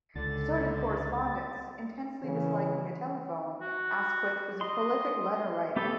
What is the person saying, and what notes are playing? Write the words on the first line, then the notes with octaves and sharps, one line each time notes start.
So did correspondence; intensely disliking the telephone, Asquith was a prolific letter writer.
C#2 D3 A6
C#3 E3
F#4
D#5 C6
A3 B3 G4 A4